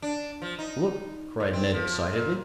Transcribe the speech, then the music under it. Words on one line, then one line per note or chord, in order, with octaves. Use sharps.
"Look!" cried Ned excitedly.
D4
F3
D#4
A2
C4
F3
A#2